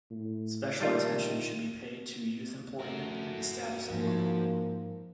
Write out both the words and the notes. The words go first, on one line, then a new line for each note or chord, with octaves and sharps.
Special attention should be paid to youth employment and the status of women.
A2
A#2 D#3 G3 A3 F4
A3 F#4 A#4
G#2 F3 A#3